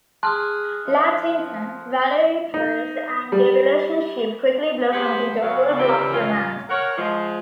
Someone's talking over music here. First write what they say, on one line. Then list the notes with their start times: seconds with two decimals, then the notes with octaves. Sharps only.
Labs intern, Valerie Perez, and their relationship quickly blossomed into a full-blown romance.
0.23 G#4 A5 C6 D#6 F6 F#6
0.86 F3
2.54 D#4
3.32 G3
4.92 G4 G#4 B4 C5 F#5
5.42 F#3 A#3 B3 F#4 A4 F5
5.79 G3 C4 C#4 E4 F4 G4
6.13 A#3 C#4 F4
6.69 A#4 C#5 F#5
6.98 F3 G#3